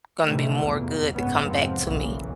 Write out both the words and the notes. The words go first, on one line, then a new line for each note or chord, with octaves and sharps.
gonna be more good that come back to me.
A2 C3 D#3 E3 G3 A3
F1 E2 A#2
F#1 G#2 C3 B3 C#4
F2 G#2 C3 F3 B3 C4
F#1 B1 F#2 A#2 E3